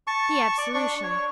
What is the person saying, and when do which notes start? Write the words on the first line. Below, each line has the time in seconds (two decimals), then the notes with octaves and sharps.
The Absolution.
0.07 A5 C#6
0.58 D5 D6
0.74 D4 C#6
1.03 C#5